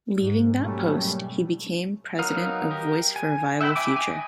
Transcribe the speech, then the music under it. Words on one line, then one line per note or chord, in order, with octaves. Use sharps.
Leaving that post, he became president of "Voice for a Viable Future".
G#2
B2 F#3 G3 A3 A#3 C#4
F#3 B3 D#4 A#4 F5
G4 A#4
G#5
E5 F#5 G5 A#5 B5
E4 E5 G5 G#5 D6
D#5 G#5